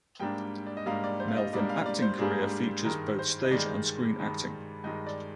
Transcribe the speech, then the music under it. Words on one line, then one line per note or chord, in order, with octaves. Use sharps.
Melvin acting career features both stage and screen acting.
G#2 G3 A#3 D4 G5
D5
D#5
G#2 G3 A#3 D4 F5
D5
C5
F5
D#5
G#2 G3 A#3 D4 D5
F5
D5
C5
G#2 G3 A#3 D4 G#4
G2 D#3 G#3 A#4
C5
D#5
G2 D#3 G#3 D5
G2 D#3 G#3
G2 D#3 G#3 D#5
D5